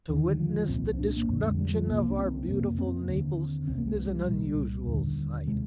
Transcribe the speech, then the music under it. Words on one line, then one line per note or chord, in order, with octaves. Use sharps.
To witness the destruction of our beautiful Naples is an unusual sight.
D#2 D3 D#3
G3
F3
C2 A#2 C4
D4
A#3
F2 D3 C4
G#3
G3
F3
C2 C3 A#3
D4
C4
F2 C3 A#3
C4
D#2 D3
C2 C3 C4
A#3
G#3
G3
C2 A#2
D#2 D3
C3 G#3